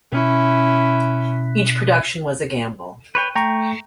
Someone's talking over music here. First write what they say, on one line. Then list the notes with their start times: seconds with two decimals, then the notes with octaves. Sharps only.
Each production was a gamble.
0.12 B2 C#4 E4
3.15 B4 C#5 G5
3.36 A3 G5 A#5 C#6